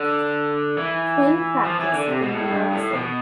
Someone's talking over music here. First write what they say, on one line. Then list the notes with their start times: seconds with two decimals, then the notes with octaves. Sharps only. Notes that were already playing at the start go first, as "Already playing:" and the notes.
Quinn practiced in New York City.
Already playing: D3
0.78 E3
1.64 F3
1.79 E3
1.93 D3
2.07 C3
2.22 B2
2.36 A2
2.51 G2
2.72 A2
2.94 B2